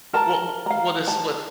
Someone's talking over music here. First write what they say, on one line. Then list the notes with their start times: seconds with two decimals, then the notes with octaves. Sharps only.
wha what is what
0.13 A#4 A5 A#5
0.66 F5 A#5
1.08 A5